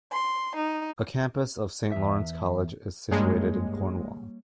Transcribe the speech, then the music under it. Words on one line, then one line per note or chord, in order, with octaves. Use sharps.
A campus of St. Lawrence College is situated in Cornwall.
C6
D#4
E2 E5
G2 G3 G#3 A#3 C#5